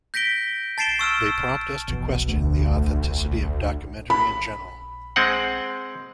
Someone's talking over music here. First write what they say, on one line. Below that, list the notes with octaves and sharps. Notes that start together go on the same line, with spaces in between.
They prompt us to question the authenticity of documentary in general.
G6 A#6 B6 D7 G7
A5 A6 C7 D7 E7 G7
C#6 E6 F6 D7
F1 B1 B2 E3
D2
B5
G#3 C4 F#5